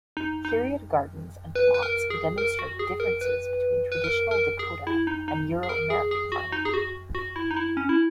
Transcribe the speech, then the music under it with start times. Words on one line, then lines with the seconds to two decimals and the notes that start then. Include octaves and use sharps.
Period gardens and plots demonstrate differences between traditional Dakota and Euro-American farming.
0.17 D#4
0.45 D#4
1.55 B4
1.74 B4
1.83 A#4
2.10 G#4
2.38 A#4
2.59 F#4
2.79 G#4
3.00 A#4
3.21 B4
3.92 B4
4.04 A#4
4.31 A#4
4.59 G#4
4.87 E4
5.07 D#4
5.28 D#4
5.63 G#4
5.69 A#4
5.90 G#4
6.11 G#4
6.32 F#4
6.52 D#4
6.65 G#4
6.74 F#4
7.15 F#4
7.36 E4
7.51 D#4
7.56 E4
7.77 C#4
7.89 E4